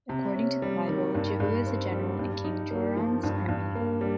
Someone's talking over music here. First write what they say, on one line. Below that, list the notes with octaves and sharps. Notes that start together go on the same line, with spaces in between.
According to the Bible, Jéhu is a general in King Joram’s army.
C3
C#4
G3
D#3
G2
G2
C4
G3
G2
D#4
A#3
F3
G2
G2
A#3
G3